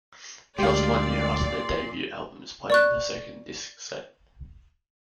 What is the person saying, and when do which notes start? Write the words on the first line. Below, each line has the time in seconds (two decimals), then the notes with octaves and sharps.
Just one year after their debut album is played the second disc set.
0.58 D2 A#2 G#3 G4 D5 F5 C6
2.70 D5 C#6 F#6